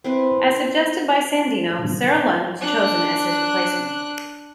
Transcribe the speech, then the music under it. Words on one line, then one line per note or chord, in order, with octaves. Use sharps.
As suggested by Sandeno, Sara Lund was chosen as his replacement.
C4 E4 B4
D4 F#6